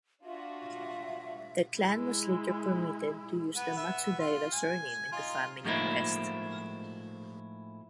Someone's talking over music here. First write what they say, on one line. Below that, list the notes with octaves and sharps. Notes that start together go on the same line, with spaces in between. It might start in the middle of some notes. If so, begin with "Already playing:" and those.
The clan was later permitted to use the "Matsudaira" surname and to family crest.
D4 F4 F#4 E5
G#3 E4
B3
B3 E5
F4
G#5
D#4 F4
A2 F3 G#3 A#3 D#4 E4